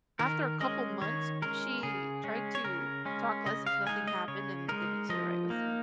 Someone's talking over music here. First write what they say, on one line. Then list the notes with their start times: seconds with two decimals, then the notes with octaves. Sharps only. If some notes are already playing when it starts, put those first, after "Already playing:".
after a couple months, she tried to talk as if nothing happened and didn't sit right with me.
0.19 D#3 A#4
0.60 G#3 C#4 D#5
1.02 D#3 C#5
1.42 G#3 C#4 A#4
1.83 C#3 G#4
2.24 G#3 C#4
2.55 C#5
2.64 C#3 A#4
3.05 G#3 C#4
3.46 C#3 D#5
3.66 F5
3.87 G#3 D#4 G#5
4.07 D#5
4.28 C#3 C#5
4.69 G#3 D#4 A#4
5.09 F3 D#5
5.50 A#3 D#4